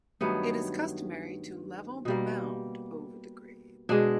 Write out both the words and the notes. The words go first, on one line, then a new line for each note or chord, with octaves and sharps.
It is customary to level the mound over the grave.
G2 D#3 F#3 A3 B3
B2 G3 A#3
B2 G#3 D4